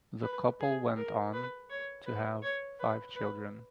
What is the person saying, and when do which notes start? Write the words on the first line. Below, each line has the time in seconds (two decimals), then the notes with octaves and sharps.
The couple went on to have five children.
0.23 B4
0.60 G#4
0.97 A#4
1.33 B4
1.70 C#5
2.06 B4
2.43 C#5
2.80 B4
3.16 B4